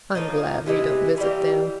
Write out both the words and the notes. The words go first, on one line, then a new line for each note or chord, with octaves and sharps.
I'm glad we don't visit them.
A2 F3 A#3 D#4
C3 E3 G#3
E3 G3 A#3